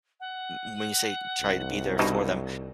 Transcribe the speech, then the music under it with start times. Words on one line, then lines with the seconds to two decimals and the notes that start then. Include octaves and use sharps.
and when you say try to be there for them,
0.20 F#5
1.42 C2
1.99 G2 B2 D#4